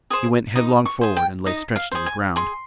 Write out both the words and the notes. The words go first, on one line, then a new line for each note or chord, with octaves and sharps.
He went headlong forward and lay stretched on the ground.
G#4 C5 D#6
D#4 D#6
C#6
G#4 C5
G5
D#4 D#5
F5
G#4 C5
G#5
G#4 C6